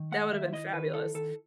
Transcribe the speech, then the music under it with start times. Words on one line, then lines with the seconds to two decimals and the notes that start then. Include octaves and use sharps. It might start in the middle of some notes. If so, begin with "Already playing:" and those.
That would have been fabulous.
Already playing: D#3
0.12 A3 F#5
0.32 D#3 E5
0.53 E4 D#5
0.73 D#3 B4
0.94 E4 A4
1.14 D#3 A4